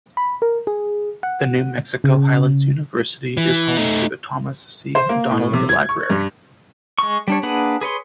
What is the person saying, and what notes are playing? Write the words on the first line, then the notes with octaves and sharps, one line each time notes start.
The New Mexico Highlands University is home to the Thomas C. Donnelly Library.
B5
A#4
G#4
F#5
C#3
E3
A3 D#4
C5
A#3
A2
C3
G#6
C#6
G2
G#3 C#6
G3 D4 C#5
A#3 D4 G#4 B4 F#5
G#4 B4 C#5 C6